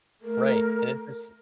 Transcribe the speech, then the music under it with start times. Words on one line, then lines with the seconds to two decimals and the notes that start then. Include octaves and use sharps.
Right, and it's a ci
0.23 A3 A#4